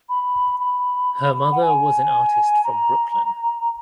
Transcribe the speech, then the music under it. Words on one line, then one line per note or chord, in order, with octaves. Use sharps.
Her mother was an artist from Brooklyn.
B5
B5
F#5
G#5
A#5